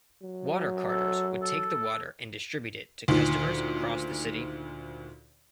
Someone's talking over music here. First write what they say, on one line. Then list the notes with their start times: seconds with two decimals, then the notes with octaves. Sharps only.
Water carters would take the water and distribute it to customers across the city.
0.22 F#3
0.90 A4
1.42 A4
3.08 D2 A#2 D#3